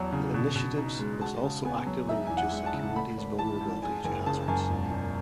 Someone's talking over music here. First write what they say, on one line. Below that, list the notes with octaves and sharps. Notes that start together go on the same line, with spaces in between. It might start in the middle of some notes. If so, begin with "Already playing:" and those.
The initiatives must also actively reduce a community's vulnerability to hazards.
Already playing: E2 F#3 B3 A5
C#3
B2
B2
D#4
G#3
F#4 A5
C#3
B3 G#5
F#3
D#4 E5
E2 G#5
F#5
G#3
A5
C#3
A3 B5
G#1
E3 A5
G#2
G#3 G#5
F#1 G#5
C#3 A5
F#2 G#5
E1
E1